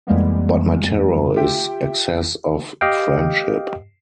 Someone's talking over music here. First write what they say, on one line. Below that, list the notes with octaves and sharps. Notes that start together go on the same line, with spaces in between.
But my terror is excess of friendship.
F2 E3 G3 G#3 A#3 B3
F4 G4 E5 G5
G4 D#5 F5 G5